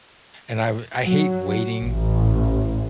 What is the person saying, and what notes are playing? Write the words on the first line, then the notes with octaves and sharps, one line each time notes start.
and I uh, I hate waiting
F#3
A1